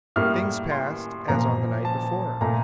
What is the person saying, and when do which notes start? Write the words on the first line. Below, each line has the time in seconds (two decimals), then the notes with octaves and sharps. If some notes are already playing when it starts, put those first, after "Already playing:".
Things passed as on the night before.
0.16 A2 G3 A#3 F6
0.71 C6
1.28 A#2 F3 A#3 A#5
1.85 A5
2.41 A#2 A3 A#5